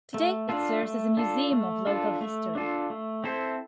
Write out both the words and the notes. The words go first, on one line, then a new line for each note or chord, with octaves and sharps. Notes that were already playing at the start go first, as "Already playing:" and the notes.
Today, it serves as a museum of local history.
A3
D4 F4 A4
A3
D4 F4 A4
A3
D4 F4 A4
A3
D4 F4 A4
A3
C4 E4 A4 C5